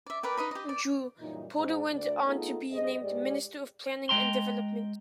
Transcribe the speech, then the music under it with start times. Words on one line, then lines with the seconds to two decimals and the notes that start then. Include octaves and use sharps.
Drew, Porter went on to be named Minister of Planning and Development.
0.06 D5 E5
0.23 A#4 B4 D5 G5
0.37 D#4 B4 D#5 B5
0.51 G4 D#5
0.69 D5
1.20 F#2 A#2 E3 G3 D#4
1.57 G#2
1.92 D2 D5
2.26 A3 B3 D#4 F4 G#4 A4
2.71 G2 G#4 C5 D#5
3.02 G#2 G#3 G4 D5
4.09 G#3 G5 A#5 C6